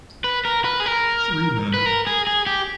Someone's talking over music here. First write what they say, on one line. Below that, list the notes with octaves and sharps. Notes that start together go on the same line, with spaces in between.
Three men.
B4
A#4
B4
G#4
A#4
B4
A#4
G#4
G#4
G4